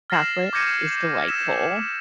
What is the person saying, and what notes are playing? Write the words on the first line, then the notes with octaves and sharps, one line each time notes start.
Chocolate is delightful.
F6 A6 A#6 C7 E7 F#7
D6 G6 G#6 A#6 C#7 D#7
E6 A#6 B6 E7